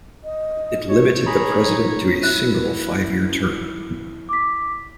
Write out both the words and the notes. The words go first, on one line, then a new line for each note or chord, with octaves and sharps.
It limited the president to a single five-year term.
D#5
C#5
D#4 G#4 A#5 B5
E4 F#6
D6 B6